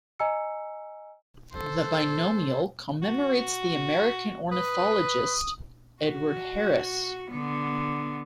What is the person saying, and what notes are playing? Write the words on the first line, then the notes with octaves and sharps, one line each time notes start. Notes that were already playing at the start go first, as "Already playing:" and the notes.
The binomial commemorates the American ornithologist Edward Harris.
D#5 G#5 A#5 E6 C#7
A4 C5
F#4
B4 D#6
F#4
D3 B3